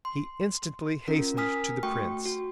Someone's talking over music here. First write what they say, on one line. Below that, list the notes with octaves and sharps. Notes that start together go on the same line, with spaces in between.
He instantly hastened to the Prince.
C6
C#4 F4 A#4
A#4 G#5 D#6 F6 B6
A3 F#4 G5 C#6
F#4